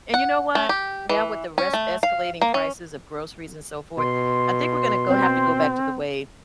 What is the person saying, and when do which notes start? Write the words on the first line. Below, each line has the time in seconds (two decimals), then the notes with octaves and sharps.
And you know what? Now with the res escalating prices of groceries and so forth, I think we're gonna go have to go back to the way
0.14 F#5
0.55 A3
0.69 G4
1.09 E3
1.58 C#4
1.73 A3
2.03 F5
2.41 A#3
2.54 C#4
3.98 B2 C6
5.07 C4